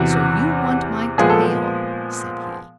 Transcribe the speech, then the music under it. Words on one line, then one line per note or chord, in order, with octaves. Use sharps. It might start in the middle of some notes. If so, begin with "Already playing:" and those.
"So you want my tail?" said he.
Already playing: E2 C3 E3 F#4
A#2 F3 G#3 B3 G#4
A4